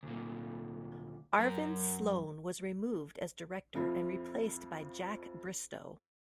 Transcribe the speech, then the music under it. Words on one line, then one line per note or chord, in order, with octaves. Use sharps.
Arvin Sloane was removed as director and replaced by Jack Bristow.
D2 A#2
F#2 A#4
F2 F3 E4 F4